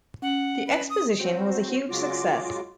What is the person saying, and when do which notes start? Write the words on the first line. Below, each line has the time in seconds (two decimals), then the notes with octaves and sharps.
The exposition was a huge success.
0.22 C#4 F#5
0.67 B4
0.90 D#6
1.18 F#3 C4 F#4 C5
1.89 C#3 F#3 G#3 F4 F#4 D6